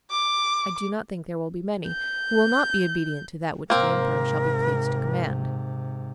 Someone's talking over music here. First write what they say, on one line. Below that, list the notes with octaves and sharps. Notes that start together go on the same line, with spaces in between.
I do not think there will be many who will not be obedient to that which the emperor shall be pleased to command.'
D6
G6
G#2 C3 A#3 C4 A#4